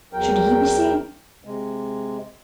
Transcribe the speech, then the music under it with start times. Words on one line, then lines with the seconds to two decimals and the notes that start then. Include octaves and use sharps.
Should he be seen?
0.13 E2 F#3 A#4 G5
1.45 C3 G#3